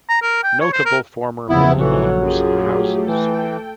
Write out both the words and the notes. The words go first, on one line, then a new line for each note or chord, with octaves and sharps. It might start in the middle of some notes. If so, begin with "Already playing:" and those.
Notable former mill owners' houses.
A#5
A#4
G5
C#5
C5
A#4
E2 C#3 F3 B3 E4
A#1 E3 F#3 A4 C#5 F#5
F#2 F4 G4 G#4
A3
E3 A4 G5